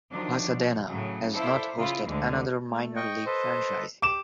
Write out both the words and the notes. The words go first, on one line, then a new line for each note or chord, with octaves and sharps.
Pasadena has not hosted another minor league franchise.
D#3 F3 F#3 D4
B2
A2 C#3 F#3
E4 A4 C5 D5 E5 F5
C#3 E3 E4 F4
D2 D3 E3 G#3
A3
D#5 G5 C#6
A4 B4 C5 D#5
G4 D6 E7